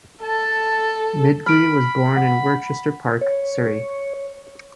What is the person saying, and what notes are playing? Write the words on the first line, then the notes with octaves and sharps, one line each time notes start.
Midgley was born in Worcester Park, Surrey.
A4 A5
B5 F6 D7
F#5
C#5